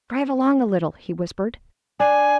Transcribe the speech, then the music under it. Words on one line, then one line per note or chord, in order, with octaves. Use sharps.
"Drive along a little," he whispered.
D4 G#5